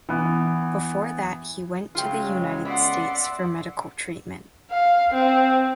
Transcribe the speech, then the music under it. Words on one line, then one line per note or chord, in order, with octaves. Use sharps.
Before that he went to the United States for medical treatment.
E3 B3
C#2 C#3 F#3 G#3 F4 G5
B3 D5 E5 F#5 C6
F5
C4